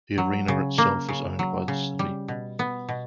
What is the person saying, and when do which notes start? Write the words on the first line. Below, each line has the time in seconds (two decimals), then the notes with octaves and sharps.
The arena itself is owned by the city.
0.18 F#3
0.48 C#3
0.78 A#3
1.08 C#3
1.39 F#3
1.68 C#3
1.99 G3
2.28 B2
2.59 B3
2.89 B2